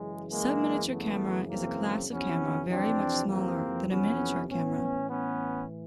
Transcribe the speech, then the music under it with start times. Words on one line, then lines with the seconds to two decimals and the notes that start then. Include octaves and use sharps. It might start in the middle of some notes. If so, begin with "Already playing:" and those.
Subminiature camera is a class of camera very much smaller than "miniature camera".
Already playing: F#2 C#3 E3 G#3
0.31 G#3 A#3
0.90 A3 B3
1.50 A#3 C4
2.10 F2 C3 E3 B3 C#4
2.70 C4 D4
3.30 A#3 C4
3.90 B3 C#4
4.50 A2 E3 B3 C#4
5.10 B3 C#4